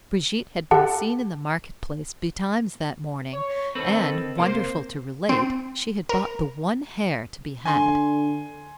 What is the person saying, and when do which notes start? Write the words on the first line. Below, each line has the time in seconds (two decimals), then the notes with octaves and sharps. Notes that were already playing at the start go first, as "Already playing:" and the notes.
Brigitte had been seen in the market-place betimes that morning, and, wonderful to relate, she had bought the one hare to be had.
0.71 G4 A4 F#5 A5
3.33 C#5
3.75 D#3 C4 A4 B4
4.38 C3 A#3 C5
5.29 C4
6.09 A#4
7.66 D3 G#5 C6